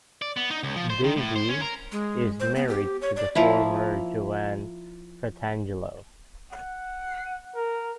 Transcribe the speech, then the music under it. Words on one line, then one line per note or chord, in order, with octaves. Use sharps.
Davie is married to the former Joanne Fratangelo.
D5
B3
D#4
C#2
F3
C5
D#3
A2
C5
C#4
A#4
G#3
C5
B3
G4
C#5
D5
F3 A#3 E4
F#5
A#4